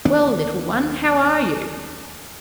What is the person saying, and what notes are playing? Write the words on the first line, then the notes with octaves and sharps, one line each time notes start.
'Well, little one, how are you?
D#2 B3 D4